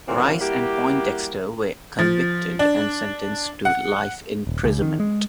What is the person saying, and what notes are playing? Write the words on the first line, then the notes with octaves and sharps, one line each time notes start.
Rice and Poindexter were convicted and sentenced to life imprisonment.
G2 A#2 E3 F#3 A#3 C4
G3 A#3 E4 F#4 G4
F3
D4
F#5
D#1
C#2
D#3
G#3